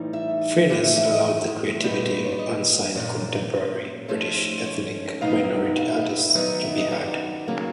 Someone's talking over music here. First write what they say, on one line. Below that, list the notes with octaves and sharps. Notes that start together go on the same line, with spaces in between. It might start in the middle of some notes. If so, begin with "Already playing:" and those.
Freeness allowed the creativity of unsigned contemporary British ethnic minority artists to be heard.
Already playing: A2 E3 G3 D#4
E5
A2 E3 A3 F5
E5
E5
D#5
A#2 G3 B3 D#4
C#5
D5
D#5
A#2 F#3 A#3 C#4 D5
G#2 F3 A3 C#4 C5
C#5
B2 F#3 B3 D#4 F5
F5
E5
D#5
E5
D#3 F#3 B3 D#4 D#5
E5
D#5
D5
C#3 F#3 A#3